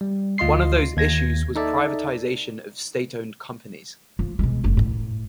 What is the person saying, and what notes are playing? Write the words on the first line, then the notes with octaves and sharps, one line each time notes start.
One of those issues was privatisation of state-owned companies.
G3
D2 F4 D#5 C6 C7
D#2 G#6 A#6
D#4 A4 D5 E5
F3
B2 G#3
F#1 A3
A2